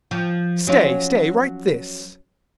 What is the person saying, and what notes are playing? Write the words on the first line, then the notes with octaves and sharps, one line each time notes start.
Stay, stay, write this.
F3
F#3 C#4 F4